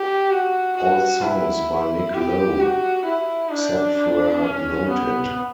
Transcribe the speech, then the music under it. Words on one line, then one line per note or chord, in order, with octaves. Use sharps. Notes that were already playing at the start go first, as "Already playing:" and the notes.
All songs by Nick Lowe, except where noted.
Already playing: G4
F#4
F#4
E4
G4
F#4
E4
D4
C#4
B3